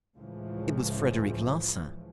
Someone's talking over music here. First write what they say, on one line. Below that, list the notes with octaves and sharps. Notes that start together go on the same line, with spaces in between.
It was Frederic Larsan.
C#2 A2 C#3 E3 F3